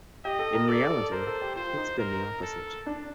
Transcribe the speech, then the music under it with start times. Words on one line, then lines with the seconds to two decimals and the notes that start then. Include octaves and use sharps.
In reality, it's been the opposite.
0.25 G4 D#5
0.39 A4
0.54 A#4
0.68 A4 D5
0.90 A4
1.12 A#4 C5
1.27 A4
1.42 G4
1.56 F4 C5
1.77 D#4
1.99 A#4
2.43 A4
2.86 D4